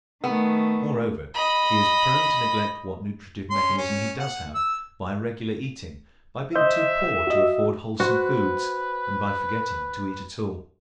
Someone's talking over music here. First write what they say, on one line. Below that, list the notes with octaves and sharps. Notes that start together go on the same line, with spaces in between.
Moreover, he is prone to neglect what nutritive mechanism he does have, by irregular eating, by being too poor to afford wholesome foods, and by forgetting to eat at all.
D#3 A3 B3
D#5 B5
C#4 C6
C#4
F#5
E6
C5 D#5 E5 G6
F#4 D#5
F#4 B4 C5